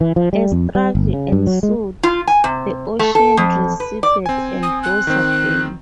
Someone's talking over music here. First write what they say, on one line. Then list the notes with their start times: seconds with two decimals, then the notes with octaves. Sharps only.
A struggle ensued; the ocean receded and rose again.
0.01 E3
0.16 F3
0.33 G3
0.52 F2
0.75 G3
0.95 G1
1.13 C#3
1.32 G2
1.47 F#3
1.63 G#3
2.03 F4
2.27 G#5
2.44 C3
2.99 A3
3.15 A4
3.37 F2
3.80 B4
4.03 D5
4.26 C4 G#5
4.63 D#6
4.83 F#6
5.07 D#3 C4